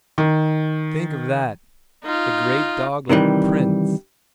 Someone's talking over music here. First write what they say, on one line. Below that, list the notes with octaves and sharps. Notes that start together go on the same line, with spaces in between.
"Think of that--a great dog like Prince!"
D#3
D#4 F4
C3 D#3 E3 G3